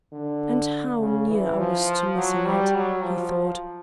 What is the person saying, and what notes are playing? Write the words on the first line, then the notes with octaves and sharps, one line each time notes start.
"And how near I was to missing it!" he thought.
D3
C#3
E3
F3
F#3
G3
F#3
F3